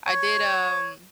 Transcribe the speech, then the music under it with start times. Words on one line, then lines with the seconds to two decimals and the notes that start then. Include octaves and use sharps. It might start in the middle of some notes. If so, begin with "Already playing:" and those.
I did, um
0.07 C#5